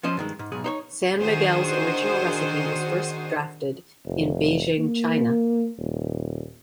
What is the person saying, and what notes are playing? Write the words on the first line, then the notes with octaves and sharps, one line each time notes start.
San Miguel's original recipe was first drafted in Beijing, China.
F3 C#4 C5 D#5
G2 D#3 G#3
G#2
B1 G#2 G#4
D#4 C5 C#5
D#3 D4 F#4 G#4 C5
F1
A#3
D#1